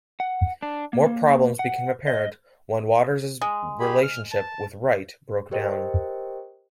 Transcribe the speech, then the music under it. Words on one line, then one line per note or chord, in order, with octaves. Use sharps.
More problems became apparent when Waters's relationship with Wright broke down.
F#5
D4
A#3
A#3
F#5
D#5
G#3
G4 G#4 B5
F6
A5
G4 A#4 C5 D#5 G5